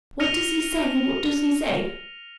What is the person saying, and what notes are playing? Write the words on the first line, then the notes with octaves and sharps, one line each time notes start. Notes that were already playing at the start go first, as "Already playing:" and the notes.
'What does he say, what does he say?
F6 A#6 C#7 D#7 F7